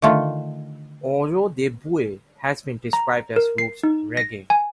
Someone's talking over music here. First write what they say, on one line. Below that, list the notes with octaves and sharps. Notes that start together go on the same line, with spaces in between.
Ojo de Buey has been described as roots reggae.
D3 D#3 A3 F4
A#5
A#4
C7
D#4
A#6
G#5